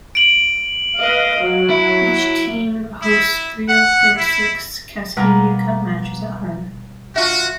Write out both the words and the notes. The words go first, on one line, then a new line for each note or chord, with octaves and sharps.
Each team hosts three of their six Cascadia Cup matches at home.
D7 F#7
B4 D#5 F5
F#3
E4
E4
F#5
E4
B2 G3 A#3 B3 A#5
F4 F#4 E5